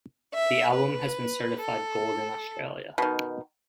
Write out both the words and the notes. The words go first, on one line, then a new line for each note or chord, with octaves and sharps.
The album has been certified gold in Australia.
E5
B4
A4
B2 D#3